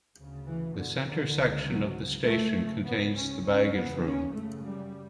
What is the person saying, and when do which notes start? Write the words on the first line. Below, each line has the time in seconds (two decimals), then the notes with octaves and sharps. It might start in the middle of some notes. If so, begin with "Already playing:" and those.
The center section of the station contains the baggage room.
0.16 D2 C#3
0.46 E3
0.75 E2 B2 D3
1.05 D3
1.35 C#2 C#3
1.65 F#3
1.95 C#2 C#3
2.23 A3
2.54 F#2 C#3
2.84 B3
3.13 C#2 C#3 C#4
3.43 C#4
3.73 E2 C#3 B3
4.02 C#4
4.32 F#2 C#3 A3
4.61 G3